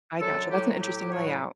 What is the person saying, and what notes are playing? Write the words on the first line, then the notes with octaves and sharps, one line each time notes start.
I gotcha. That's an interesting layout.
F#2 D3 F#3 A4
A2 F#3 G4
A2 F#3 G4
G4
A2 F#3 C#5
B4